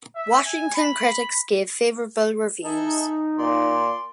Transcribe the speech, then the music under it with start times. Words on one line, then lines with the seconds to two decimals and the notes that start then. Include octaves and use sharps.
Washington critics gave favorable reviews.
0.16 E5
0.46 G#5
0.76 B5
2.65 D#4 G#4 A4 E5
3.38 A#2 D5 C6